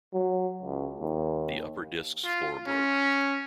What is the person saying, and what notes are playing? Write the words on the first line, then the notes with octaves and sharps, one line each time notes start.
The upper disc's floor broke.
F#3
C#2
D#2
F4
C#4